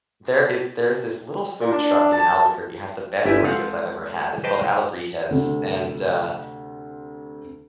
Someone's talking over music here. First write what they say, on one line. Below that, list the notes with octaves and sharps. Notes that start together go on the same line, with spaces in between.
there is there's this little food truck in Albuquerque, it has the best burritos I've ever had, it's called Alebrijes, and, uh,
A#2
D4
A5
G1 E4 G4 D5 G#5
G#3 C4 A4 F5 F#5
B4 C5 D#5 G5 A5
D2 C3